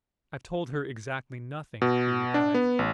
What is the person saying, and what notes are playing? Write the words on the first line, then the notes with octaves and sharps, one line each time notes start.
"I've told her exactly nothing," he replied.
B2
D4
B3
A1